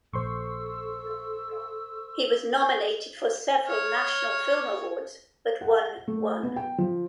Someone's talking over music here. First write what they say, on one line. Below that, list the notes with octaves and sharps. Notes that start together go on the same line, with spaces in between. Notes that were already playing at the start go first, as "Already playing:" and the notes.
He was nominated for several National Film Awards but won one.
A#1 A4 C5 C6 C#6 E6
C#5 F6
F#5
A3
B3
G5
F3